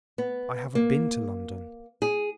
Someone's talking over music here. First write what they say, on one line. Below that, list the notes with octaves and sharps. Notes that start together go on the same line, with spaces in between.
'I haven't been to London.
B3
A#3
G#4